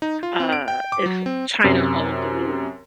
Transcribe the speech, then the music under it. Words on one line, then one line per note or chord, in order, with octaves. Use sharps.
uh, if China owned the moon,
D#4
F4
C4
D7
G5
D6
F#3
C4
F#2 C3